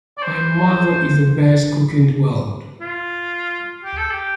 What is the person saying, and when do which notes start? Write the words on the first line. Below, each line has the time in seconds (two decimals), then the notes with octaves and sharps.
My mother is the best cook in the world!
0.17 D5
0.22 C5
2.81 F4
3.84 G4
3.98 A4
4.11 G4